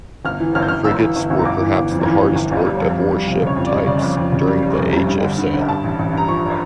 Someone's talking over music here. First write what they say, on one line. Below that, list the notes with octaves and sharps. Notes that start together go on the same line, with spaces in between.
Frigates were perhaps the hardest-worked of warship types during the Age of Sail.
G1 F6
E3
G1 F6
G6
G1 F6
G1 E6
E3
G1
G1
G1 D6
E3
G1
F2
E3
G1
G1
G1
G3
F2
G3
G3
F1
C#3 C#5
F2
D5
G3
C#3 D5
F2
F2
C#3
G3
G3
F1
G3
G2
D3
D3
D3
G2 A5
A1
A1
G2 A#5
F3 C#6